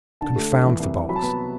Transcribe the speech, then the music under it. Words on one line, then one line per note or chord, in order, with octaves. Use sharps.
Confound the box!
D3 A5
A3
D2
E3
C2
C3
F#3 B5
A5
B3 B5